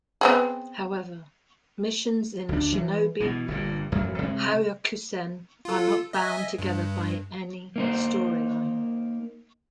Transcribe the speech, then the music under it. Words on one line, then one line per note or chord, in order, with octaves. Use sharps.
However, missions in "Shinobi Hyakusen" are not bound together by any storyline.
B3 C4 G#4
D2 D4
E3
B2 E3
G1 G2 A#2
A1 F#2 F3 F#3
C3 G#3
F4 A4
D#5 E5 G#5
G2
A#3 D#4 C5